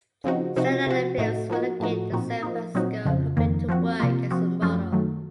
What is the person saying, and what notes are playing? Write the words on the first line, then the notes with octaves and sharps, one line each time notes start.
Standing at Phillips relocated to San Francisco hoping to work as a model.
C#3 F3 C4 D#4 F#4
C3 F3 C4 D#4 F#4
C3 F3 C4 F#4
A2 A3 D#4 F#4
F3 A#3 D#4 F#4
A2 F3 A3 D#4 F#4
A#2 F3 C4 D#4 F#4
F3 A#3 D#4
A#2 F#3 C4 D#4 F#4
F2 C#3 F3
F2 D#3 A#3
F3 C4 F#4
C3 F3 A#3 F4
F3 C4 F#4
F#2 F3 A3 C#4 F4
D#3 F#3 A3